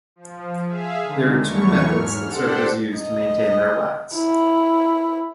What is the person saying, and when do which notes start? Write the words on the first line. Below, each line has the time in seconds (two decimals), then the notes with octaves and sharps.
There are two methods that surfers use to maintain their wax.
0.16 F3
0.65 G#4 E5 F5
1.02 D3 D#3 G#3
1.42 E2 E3 F#3 A3 C#5 C#6
1.85 G#2 F6
2.25 D4 G4 A4 C5 F#5
2.98 D#5
4.16 E4